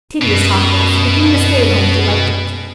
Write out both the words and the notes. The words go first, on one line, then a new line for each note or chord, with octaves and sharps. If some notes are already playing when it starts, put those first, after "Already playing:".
Tedious talk this, but being a stay-at-home she liked it.
F#2 B2